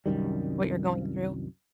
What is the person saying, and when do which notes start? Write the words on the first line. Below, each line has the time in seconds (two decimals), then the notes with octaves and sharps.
what you're going through.
0.06 C2 F#2 D#3 G3